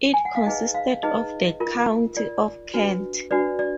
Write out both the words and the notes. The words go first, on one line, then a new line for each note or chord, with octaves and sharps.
It consisted of the County of Kent.
G#5
F#5
F5
D#4 G#4 B4 D#5
F5
D#4 G#4 B4 D#5
F4 A#4
F4 A#4 D5
D4 F#4 B4
D4 F#4 B4 D5
D5